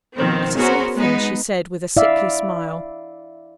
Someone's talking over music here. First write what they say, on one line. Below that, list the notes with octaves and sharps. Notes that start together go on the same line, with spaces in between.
'It is nothing,' she said, with a sickly smile.
B2 D#3 F3 C4
B3 C#4 F#4 G#4 A#4 C5
G#3 B3 D#4
E4 D5 E5 F5